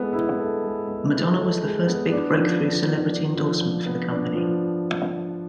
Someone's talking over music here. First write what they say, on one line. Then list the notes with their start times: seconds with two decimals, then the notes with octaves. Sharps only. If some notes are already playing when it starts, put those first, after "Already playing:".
Madonna was the first big break through celebrity endorsement for the company.
Already playing: G#3 B3 E4 A4
0.13 E4
0.39 A4
0.63 G#3
0.88 B3
1.13 E4
1.38 A4
1.63 G#3
1.87 B3
2.11 D4
2.36 F3
2.61 F3
2.87 B3
3.11 D4
3.35 F3
3.61 F3
3.86 B3
4.11 D4
4.35 F3